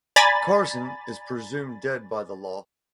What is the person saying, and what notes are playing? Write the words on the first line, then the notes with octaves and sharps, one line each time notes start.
Carson is presumed dead by the law.
D5 G#5 A#5 B5 A6